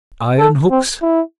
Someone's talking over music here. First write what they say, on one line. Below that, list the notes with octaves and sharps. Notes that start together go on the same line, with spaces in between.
Iron hooks?
A4
C4
E4